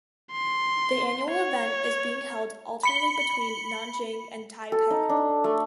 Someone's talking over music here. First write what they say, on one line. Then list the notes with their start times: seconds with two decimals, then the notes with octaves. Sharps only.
The annual event is being held alternately between Nanjing and Taipei.
0.32 C6
1.31 C#5
2.83 B5 C#7 G7
4.72 A4
4.90 D#4
5.10 D4
5.44 A3